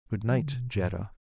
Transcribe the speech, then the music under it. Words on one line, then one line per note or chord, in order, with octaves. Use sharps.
"Good night--Jetta."
F#3
D#3
C#3
B2
G#2